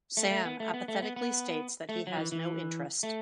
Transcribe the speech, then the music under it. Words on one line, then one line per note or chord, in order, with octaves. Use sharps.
Sam apathetically states that he has no interest.
A3
A3
B3
A3
B3
A3
B3
B3
A3
F#3
E3
E3
A3